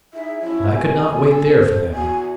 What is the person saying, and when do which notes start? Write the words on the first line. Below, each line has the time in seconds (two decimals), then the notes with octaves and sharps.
But I could not wait there for them.
0.14 D#4 E4 G#4 E5
0.42 F3 F#3 C#4 E4
0.74 A2 G3 G#3 G#5
1.10 A4
1.49 C5
1.94 E2 F#4 G#5